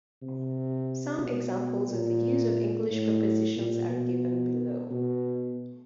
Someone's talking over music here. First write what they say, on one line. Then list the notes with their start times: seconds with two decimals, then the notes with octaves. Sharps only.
Some examples of the use of English prepositions are given below.
0.22 C3
1.23 B2
1.89 A#2
2.90 A2
3.56 A#2
3.90 B2
4.91 B2